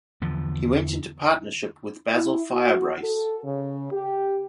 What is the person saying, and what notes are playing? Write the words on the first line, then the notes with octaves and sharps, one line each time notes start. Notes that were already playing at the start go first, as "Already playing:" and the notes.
He went into partnership with Basil Firebrace.
E2 D3 F3
E4
F#4
A4
C#3
G4